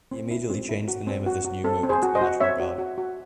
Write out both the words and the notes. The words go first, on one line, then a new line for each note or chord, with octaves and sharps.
He immediately changed the name of this new movement to the National Guard.
C4
E4
C4
E4
F#4
C4
F#4
F#4
C4 A4
C4
G#4 C5
F#4
C5 D#5
F#4
C4 C#5 E5
F#4
F#4
F#4